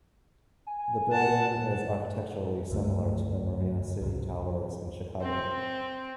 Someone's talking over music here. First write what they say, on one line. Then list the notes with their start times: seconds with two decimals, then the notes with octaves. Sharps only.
The building is architecturally similar to the Marina City towers in Chicago.
0.67 G#5
1.12 F#5 A5
2.71 C#2 G2 D3 A3
4.01 C#2 G#2 C3
5.22 C4